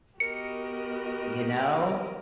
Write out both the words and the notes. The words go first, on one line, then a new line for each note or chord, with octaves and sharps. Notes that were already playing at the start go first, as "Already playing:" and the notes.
You know?
B3 F#4 G4 A#4 D#5 C#7